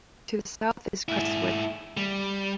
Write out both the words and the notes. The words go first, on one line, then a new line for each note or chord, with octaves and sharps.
To the south is Crestwood.
G#2 E4
G3